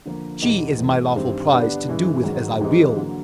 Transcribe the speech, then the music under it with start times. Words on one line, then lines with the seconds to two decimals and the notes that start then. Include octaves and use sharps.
She is my lawful prize to do with as I will.
0.06 D3 F3 A#3
0.42 E2 B2 G3 B3 D#4
0.78 G#2 E3 A3
1.15 G2 D#3 G3 C4
1.52 D3 G3 B3 D4
1.88 G2 E3 G#3 C#4 E4
2.23 G#2 D#3 F#3
2.61 G#2 E3 G3 C4 D#4
2.97 D3 F#3 A#3